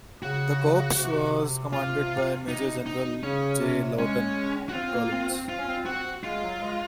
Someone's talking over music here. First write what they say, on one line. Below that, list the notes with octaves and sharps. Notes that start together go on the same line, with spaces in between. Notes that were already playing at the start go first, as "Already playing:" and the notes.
The Corps was commanded by Major General J. Lawton Collins.
C#3 F#4
C3
F4
D#4
D#4
C#3 C#4
C3
G#3 C#4
F#4
C4 F4
A#3
C4
C4
F4
C#4
C4
C4 F#4
G#3 F4
F#3
G#3